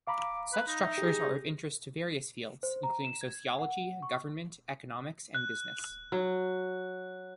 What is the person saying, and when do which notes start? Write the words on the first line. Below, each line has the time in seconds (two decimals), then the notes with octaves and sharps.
Such structures are of interest to various fields, including sociology, government, economics, and business.
0.07 F5 A#5 B5 D6
0.53 B4
0.68 D#4
0.84 E5
0.98 G4 G#4
2.63 C5
2.83 A#5
3.05 E7
3.21 G#6
3.59 F#5
4.02 C#6
5.35 F#6
6.12 F#3